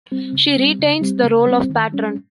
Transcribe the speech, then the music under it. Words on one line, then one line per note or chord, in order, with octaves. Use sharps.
She retains the role of patron.
G3 C4
C#3
G3 C4
C#3
G3 C4
C#3
G3 C4
D#3
G3 C#4